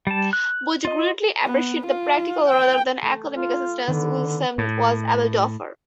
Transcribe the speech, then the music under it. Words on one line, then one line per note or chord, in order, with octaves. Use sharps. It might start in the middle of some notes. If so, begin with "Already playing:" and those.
Bugge greatly appreciate the practical rather than academic assistance Willumsen was able to offer.
G3 A5
F#6
F4 D#5
B3
F4
G5
A3
F4
D3 D#3 B3
A2